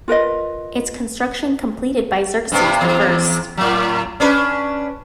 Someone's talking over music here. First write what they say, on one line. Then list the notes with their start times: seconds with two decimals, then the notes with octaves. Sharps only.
Its construction completed by Xerxes the First.
0.08 F4 A#4 B4 D#5
2.52 G2 C3 B3
2.81 E2
3.57 A2 F#3
4.20 C#4 D4 B4